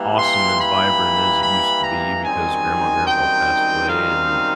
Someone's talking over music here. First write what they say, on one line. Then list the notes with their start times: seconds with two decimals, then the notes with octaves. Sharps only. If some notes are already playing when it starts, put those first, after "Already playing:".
awesome and vibrant as it used to be, because grandma and grandpa passed away and,
Already playing: E3 G3 A#3
0.20 C6
0.61 B5
1.43 B5
1.84 A#5
2.25 F#2 D#3 G3 C4 D#4 G#5
3.07 G5
3.89 F5